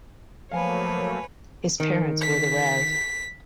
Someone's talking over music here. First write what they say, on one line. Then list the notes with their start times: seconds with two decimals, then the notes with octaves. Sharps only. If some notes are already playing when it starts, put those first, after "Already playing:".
His parents were the Rev.
0.51 F3 F#3 A3 A#3 B4 C#5 F5 G#5
1.80 D#3
2.22 B6